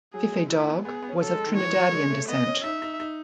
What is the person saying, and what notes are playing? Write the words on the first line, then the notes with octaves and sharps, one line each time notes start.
Phife Dawg was of Trinidadian descent.
F#3 G#4
G#3
A3 E4
B3
B3 G#4
B3
C#4
F#3 A4
G#3
D#3
E3 C#5
G#3
F#3
G#3
A3
B3 D#5
C#4
D#4 E5
D#4
D#4